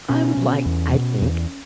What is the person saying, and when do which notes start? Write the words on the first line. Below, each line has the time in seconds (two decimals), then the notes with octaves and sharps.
I would like I think
0.09 B2 C#4
0.37 B2
0.66 E2
0.93 B2
1.22 E2